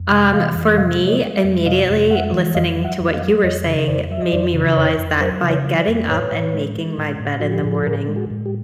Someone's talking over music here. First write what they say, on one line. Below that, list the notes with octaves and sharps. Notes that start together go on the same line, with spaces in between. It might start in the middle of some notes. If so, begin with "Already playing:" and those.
Um, for me, immediately listening to what you were saying made me realize that by getting up and making my bed in the morning,
Already playing: F2
C3
E3 D#5 F5
F2
C3 D#5 F5
G#3
C#5 D#5
G#3
D5 E5
F2
C3 D#5 F5
F2
G#3 E5 F#5
E3
F2 D#5 F5
F#3
E5 F#5
F2
D#5 F5
F#3
F2 C#5 D#5
C#3
F2 C5 D5
F#3 E5
D#5
F2 C5 D5
C#3
F2 B4 C#5
F2
F#3 A#4 C5
C#3
B4 C#5
F#3
C5 D5
F2
A2 B4 C#5
A2
G#3
G#3
A2
A2
F3 F#4
G4
A2 G#4
A4
A2 G#4 A#4
G#3
F#4 G#4
A2
G4